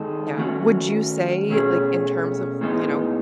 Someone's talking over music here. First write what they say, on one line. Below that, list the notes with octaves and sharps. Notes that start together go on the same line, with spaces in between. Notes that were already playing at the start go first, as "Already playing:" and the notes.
Yeah. Would you say, like, in terms of, you know,
Already playing: D#3 G#3 D#4 A4
D#3 A3 C#4 F#4 A4
B2 A3 C#4 G#4
A2 G#3 B3 D#4